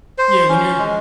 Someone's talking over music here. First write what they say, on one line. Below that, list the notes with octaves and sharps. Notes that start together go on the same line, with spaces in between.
Yeah. When you're
C5
C#4
G#3